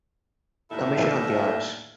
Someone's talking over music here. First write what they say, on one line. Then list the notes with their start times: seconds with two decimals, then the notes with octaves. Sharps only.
Commission on the Arts.
0.71 D#2 A2 D3 E4 A4 E5